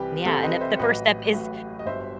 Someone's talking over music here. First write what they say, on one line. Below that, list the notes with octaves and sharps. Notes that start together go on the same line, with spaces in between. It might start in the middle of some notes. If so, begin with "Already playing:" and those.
Yeah, and if the first step is
Already playing: C2 C3 E3 G3 G4 B4
C2 C3 E3 G3 A4 C5
B4 D#5
C5 E5
A1 A2 F#3 B4 D#5
A1 A2 F#3
D#5
G1 G2 F#3 C5 E5